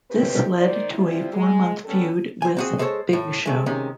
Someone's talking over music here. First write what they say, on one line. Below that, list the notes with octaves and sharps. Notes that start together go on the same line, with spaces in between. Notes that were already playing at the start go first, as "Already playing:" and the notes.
This led to a four-month feud with Big Show.
D#2 B2 A3 C4 G4 B4
D#3 C5 D5
F3 G3 C4 E4
G#3
G3 B3 C#4 A4
C5 G#5
C4 F#4 G#4
G#3 A4 C5 C#5
A2
G#3 A3
C3 D#3 G#3 C#4